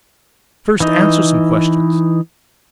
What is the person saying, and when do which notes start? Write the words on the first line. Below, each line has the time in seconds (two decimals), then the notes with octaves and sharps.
First answer some questions.
0.80 E3 D#4